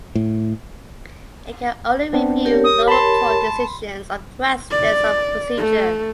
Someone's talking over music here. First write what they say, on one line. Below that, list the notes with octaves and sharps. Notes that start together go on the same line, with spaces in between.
It can only review lower court decisions on questions of procedure.
A2
B3 C4 D4
G4 A#4 C#5
D#6
A5 B5 C6
D5
A3